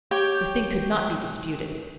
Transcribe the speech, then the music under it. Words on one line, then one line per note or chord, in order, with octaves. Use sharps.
The thing could not be disputed.
G4 C#5 G5